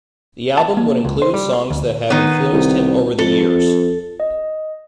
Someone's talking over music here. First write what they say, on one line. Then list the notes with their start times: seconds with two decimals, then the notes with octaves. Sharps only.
The album would include songs that have influenced him over the years.
0.57 A5
0.77 A#3
1.05 C#2
1.22 C5
1.34 G3
1.53 C6
1.70 D2
2.10 D#3 B3
2.53 C2
3.18 F2 A4
4.20 D#5